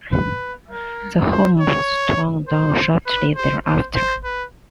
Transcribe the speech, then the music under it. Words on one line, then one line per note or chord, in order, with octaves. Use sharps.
The home was torn down shortly thereafter.
B4
A#4
C5
C#5
C5
B4
C5
C5
C5
B4